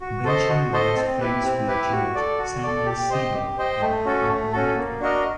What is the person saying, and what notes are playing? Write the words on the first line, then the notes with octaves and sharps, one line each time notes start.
Belcher was friends with Judge Samuel Sewall and Cotton Mather.
F#4
A4 C5 D#5
F#4
A4 C5 D#5
C4
E4 G4 B4
C4
E4 G4 B4
F#4
A4 D5
F#4
A4 D5
G4
C5 D#5 G5
G4
C5 D#5 G5
A3
C#4 F#4 A4
A3
C#4 F#4 A4
A#3
D4 F#4 A#4 D#5